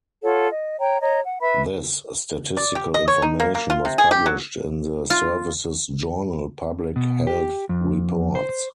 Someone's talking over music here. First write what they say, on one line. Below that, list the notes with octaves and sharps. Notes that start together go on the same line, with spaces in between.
This statistical information was published in the Service's journal, Public Health Reports.
F4 A4 C#5 F#5
D#5
C#5 G5 A#5
C#5 D#5 A#5
F#5
B4 E5 B5
D5
G4
D#5
C#5
D#4
A#3
A#3
F4
C3
G#4
G4
F#3
F4
B2
G4
F2
C5